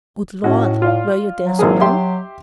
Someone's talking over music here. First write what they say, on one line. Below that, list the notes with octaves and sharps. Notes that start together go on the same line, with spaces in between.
"Good Lord--were you there so long?"
A2 C#4 D#4 F#4
F4 D5 F5
F#3
G#1 A#3 G#4
G4 E5 C6